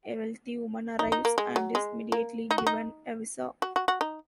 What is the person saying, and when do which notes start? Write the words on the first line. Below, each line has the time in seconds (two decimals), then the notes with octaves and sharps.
A wealthy woman arrives and is immediately given a visa.
0.99 D#4
1.12 D#4
1.25 A#3
1.38 G#3
1.56 F#3
1.75 G#3
2.12 A#3
2.51 D#4
2.58 F#4
2.67 D#4
3.62 F#4
3.76 F#4
3.88 F#4
4.01 D#4